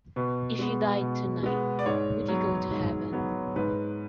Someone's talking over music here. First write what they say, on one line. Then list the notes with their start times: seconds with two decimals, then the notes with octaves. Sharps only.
If you died tonight, would you go to heaven?
0.16 B2 B4
0.59 G#3 B3
1.01 B2
1.43 G#3 B3
1.79 D5
1.86 G#2 C#5
2.28 F#3 B3
2.71 G#2
3.13 F#3 B3
3.56 G#2 B4